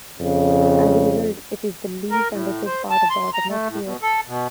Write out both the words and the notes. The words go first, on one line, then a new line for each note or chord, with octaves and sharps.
As a result, it is the least-understood part of the atmosphere.
F2 C#3
A#4
A2
C5
A5
C6
A#5
A3
A2
B2
A4
B2